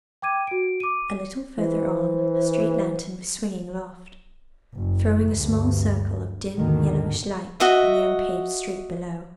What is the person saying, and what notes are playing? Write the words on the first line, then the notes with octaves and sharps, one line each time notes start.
A little further on a street lanthorn was swinging aloft, throwing a small circle of dim, yellowish light on the unpaved street below.
G5 D6 G#6 D#7
F#4 D7
D6 D#7
E3 C5
F#1
D2 G2
D#2 G#2 B2 D3 D#3
F#4 D#5 E5